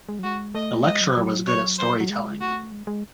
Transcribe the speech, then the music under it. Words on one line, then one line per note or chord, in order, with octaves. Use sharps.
The lecturer was good at storytelling.
G#3
F#3
G#3 F#4
A3 D#5
G#3 D#5
F#3
F#3
C#5
C5
F#3
G#3
A3 F#4
G#3
G#3